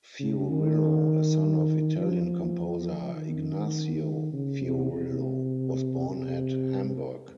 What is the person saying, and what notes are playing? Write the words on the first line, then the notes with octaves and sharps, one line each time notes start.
Fiorillo, a son of Italian composer Ignazio Fiorillo, was born at Hamburg.
C#3
D#3
F3
D#3
C#3
C3
C3
C3